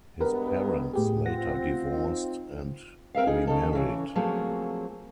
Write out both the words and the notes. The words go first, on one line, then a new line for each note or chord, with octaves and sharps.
His parents later divorced and remarried.
G2 G#3 B3 G4 A#4 B4
A2 G4 G#4
C4 F4 F#5 A#6
D#4
C4 A#4 E5 F5
D#4 G#4
C#4 D#4 A4
C#3 E3 C#5
F3 F#3 A3 A#3 C4 G#4